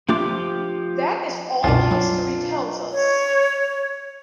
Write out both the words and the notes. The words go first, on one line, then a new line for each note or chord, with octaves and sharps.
That is all history tells us.
F3 A3 D4 F4 G4 D6
C2 F#2 B2 D4 F4
F#3
C#5